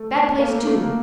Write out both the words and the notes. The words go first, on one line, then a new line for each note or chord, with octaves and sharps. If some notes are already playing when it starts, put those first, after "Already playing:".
Bad place, too.
Already playing: A3
A#3
A3
A#3
A3
A#3